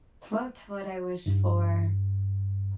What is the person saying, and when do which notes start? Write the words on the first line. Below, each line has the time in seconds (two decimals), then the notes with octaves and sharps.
what would I wish for?
1.26 G2